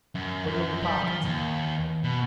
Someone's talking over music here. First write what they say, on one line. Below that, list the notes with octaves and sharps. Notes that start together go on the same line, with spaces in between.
"Put 'em in yo' pockets."
F#2
F#2
G3
F3
D#2
B2